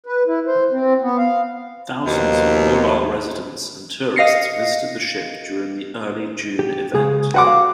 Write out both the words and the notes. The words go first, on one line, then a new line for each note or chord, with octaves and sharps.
Thousands of Mobile residents and tourists visited the ship during the early June event.
B4
E4
C5
C4
B3
F5
D#2 B2 F3 D#5
D#5 F5 A#6 C7 C#7
G4
C#3 G#3 G#4
F#4 B4 F#5 D6
F5